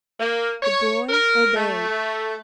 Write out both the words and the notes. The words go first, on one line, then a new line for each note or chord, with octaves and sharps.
The boy obeyed.
A#3
C#5
A#4
A3